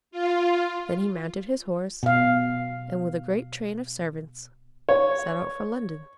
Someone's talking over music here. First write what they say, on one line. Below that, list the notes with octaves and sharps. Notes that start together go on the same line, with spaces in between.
Then he mounted his horse, and with a great train of servants set out for London.
F4
B2 F5
C#5